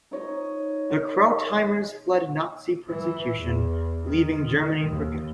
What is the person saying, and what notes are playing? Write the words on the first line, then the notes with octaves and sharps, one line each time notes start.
The Krautheimers fled Nazi persecution, leaving Germany for good.
D#4 C#5 D#5
E3
E2
D#3
D#3
D#2